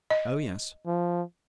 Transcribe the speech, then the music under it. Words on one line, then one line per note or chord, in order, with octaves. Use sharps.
Oh, yes!
D#5
F3